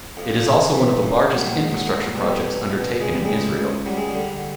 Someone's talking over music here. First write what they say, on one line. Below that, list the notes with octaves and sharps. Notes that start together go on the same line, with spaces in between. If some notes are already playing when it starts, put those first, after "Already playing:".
It is also one of the largest infrastructure projects undertaken in Israel.
F2
C#3
E3
F#2
A#1 F#3
G3
F#3
G#2
F#3
A#1
B2 G3
B1
B2
C#2 G#3
G3
C#2 G#3
C#2
F#3 G3
G#3
G3
D3